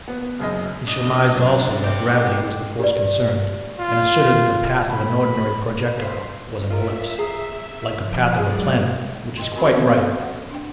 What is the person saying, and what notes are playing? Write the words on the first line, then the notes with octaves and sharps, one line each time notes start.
He surmised also that gravity was the force concerned, and asserted that the path of an ordinary projectile was an ellipse, like the path of a planet--which is quite right.
B3
F#1 F#2 D#5
D4 D#5
F#2 D4
C4 G4
G4 B4 D5
F4
B5
B4 C5
F4 A#4 E5
G#4 A#5
F3
G#2 F#3 G#4 D5
D#5 G5 C6
C4 F#4 A#4 G#5
F3 A#3 B3 C#4 D#4
A#3 A4
F#5
D4 G5